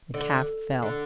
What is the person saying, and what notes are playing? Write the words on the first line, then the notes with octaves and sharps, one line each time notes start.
The calf fell.
D3
D3